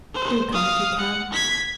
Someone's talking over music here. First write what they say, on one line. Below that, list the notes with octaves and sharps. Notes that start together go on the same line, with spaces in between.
Do come if you can.
C5
F5 D#6
F#5
G#6 B6